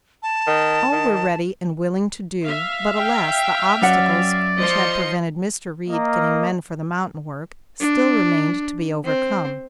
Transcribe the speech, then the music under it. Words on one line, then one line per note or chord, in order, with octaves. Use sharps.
All were ready and willing to do; but, alas, the obstacles which had prevented Mr. Reed getting men for the mountain work still remained to be overcome.
A5
D#3
D#3
E5 F5
G5
F#2 D5 F#5
F3 C5 D#5 C6 C#7
A#3 A#4 D#5
D4
C4 C5